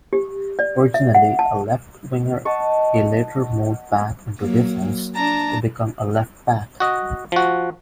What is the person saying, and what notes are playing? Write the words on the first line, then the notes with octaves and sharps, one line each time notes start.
Originally a left-winger, he later moved back into defence to become a left back.
G4
D5
E5
F#5
A5
D#5 F#5 A5 C#6
F#3 A#3
D4 A5 A#5
F#4 D#5
F3 F#4